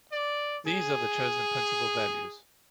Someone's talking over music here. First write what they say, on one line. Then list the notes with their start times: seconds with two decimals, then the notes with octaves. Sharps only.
These are the chosen principal values.
0.12 D5
0.67 G#4